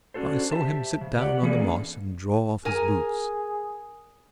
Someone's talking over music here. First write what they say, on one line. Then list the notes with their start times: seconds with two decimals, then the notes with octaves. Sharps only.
I saw him sit down on the moss and draw off his boots.
0.14 C#4 D4 F#4 A4 C5
0.51 G4 C5 E5 A5
1.01 C#3
1.19 G4 D5 F#5
1.42 E3 A#3 B3 G#4 A4 D5
1.60 C#4 D4
2.65 G#4 A#4 G#5